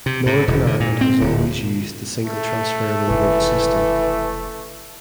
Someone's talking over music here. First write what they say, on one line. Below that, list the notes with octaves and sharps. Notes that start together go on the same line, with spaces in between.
Northern Ireland has always used the single transferable vote system.
C3
A2
E1
D3
A#2
C4
D1
A3
F1 C#3 E3